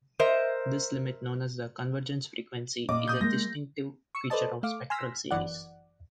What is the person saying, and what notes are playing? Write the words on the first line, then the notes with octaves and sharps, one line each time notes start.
This limit, known as the convergence frequency is a distinctive feature of spectral series.
A#4 C5 D#5 E5
A#2 D5 D#5 D6
D#6 G6
G#3 A#3 A#6
C#6 E6 C#7
A4 B4 C5 D5 D#5 A5
A3 F5 D6
G#5 C6 E6 F6 A#6 B6
G1 F#2 E3 D5 F#5